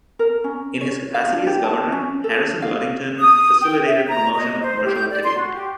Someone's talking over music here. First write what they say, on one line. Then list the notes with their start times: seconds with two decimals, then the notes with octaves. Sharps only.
In his capacity as governor, Harrison Ludington facilitated promotion of commercial activity.
0.19 A#4
0.44 C#4
0.81 C#5
1.14 F5
1.33 D4
1.47 G4
1.64 A5
1.92 C#4
2.24 A4
2.62 F5
3.20 D#6
3.61 G5
3.85 E5
4.07 A#5
4.35 D#5
4.62 C5
4.84 G4
4.95 G6
5.11 D5
5.24 C6
5.37 F#4
5.53 G4